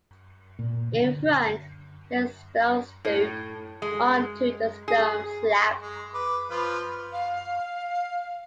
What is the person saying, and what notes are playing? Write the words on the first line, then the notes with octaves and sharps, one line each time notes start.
In front, there is a stone stoup onto the stone slab.
A#2
D3
A2
G#3
G#4
G#3
B4 D6
F3 F4 B4
F5